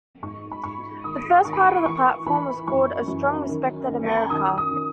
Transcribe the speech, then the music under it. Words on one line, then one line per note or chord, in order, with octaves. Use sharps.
The first part of the platform was called "A Strong, Respected America".
G#2 C#6
B5
G#2 C#6
D#3 D#6
D#3 C#6
B5
C#6
E3 C#6
E3 B5
F#2 C#6
F#2
D#3
D#3
D#3 D#6
D#6
D#3